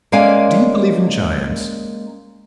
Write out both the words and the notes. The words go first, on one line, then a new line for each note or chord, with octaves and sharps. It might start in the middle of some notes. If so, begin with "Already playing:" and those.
Do you believe in giants?
G#3 A#3 C#4 D5 F5 G#5